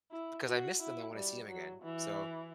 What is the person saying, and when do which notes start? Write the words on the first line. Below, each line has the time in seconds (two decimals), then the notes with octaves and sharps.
because I miss them; I wanna see 'em again. So,
0.11 E4
0.46 F#4
0.80 E4
1.14 G3
1.48 F#3
1.83 E3